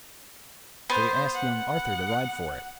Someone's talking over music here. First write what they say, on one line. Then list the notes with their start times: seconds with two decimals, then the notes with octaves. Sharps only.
So he asked young Arthur to ride for it.
0.90 B3 C5
1.34 F#5